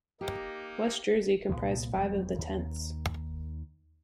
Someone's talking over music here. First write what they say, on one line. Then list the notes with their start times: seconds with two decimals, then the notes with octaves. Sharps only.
West Jersey comprised five of the tenths.
0.21 A#3 D#4 G4
1.49 C2 G2 A#2 B3
1.94 E1 F#3 B3
2.35 D#2 D#3